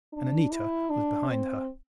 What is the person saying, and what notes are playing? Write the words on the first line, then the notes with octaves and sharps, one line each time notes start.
And Anita was behind her.
D4
E4
D4
C4